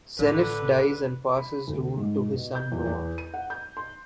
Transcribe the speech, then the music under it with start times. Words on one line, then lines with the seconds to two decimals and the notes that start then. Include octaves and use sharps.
Zeniff dies and passes rule to his son Noah.
0.19 A1 D3 B4
1.37 B5
1.67 D2
1.97 G#2
2.33 B2
2.55 G6
2.72 E2
2.86 E2
3.18 D#7
3.34 F#5
3.50 G6
3.77 C6